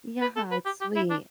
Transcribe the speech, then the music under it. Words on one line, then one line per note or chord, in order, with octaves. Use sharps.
Yeah, it's sweet.
B4
A4
B4
G4
G4
E4
D4